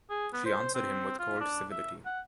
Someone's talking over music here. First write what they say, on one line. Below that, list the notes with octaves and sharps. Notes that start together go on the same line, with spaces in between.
She answered him with cold civility.
G#4
B3
C5
C4
F4
D4
E5
F#5